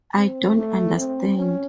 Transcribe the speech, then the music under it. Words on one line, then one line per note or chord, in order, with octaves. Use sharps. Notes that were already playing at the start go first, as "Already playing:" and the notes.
I don't understand.
C4
A3
C4
C#4